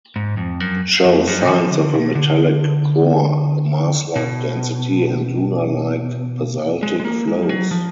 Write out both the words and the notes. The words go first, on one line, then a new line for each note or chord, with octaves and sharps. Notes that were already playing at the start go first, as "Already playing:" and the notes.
It shows signs of a metallic core, a Mars-like density and lunar-like basaltic flows.
G#2
F2
F#2
F2
F#2
F3
D3
B2
D3
B2
G#3
G#3
A#3
G#3
F3
F#3
F3